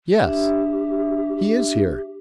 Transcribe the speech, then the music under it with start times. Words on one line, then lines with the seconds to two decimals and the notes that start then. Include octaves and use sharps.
Yes; he is here....
0.24 D4 G4 E5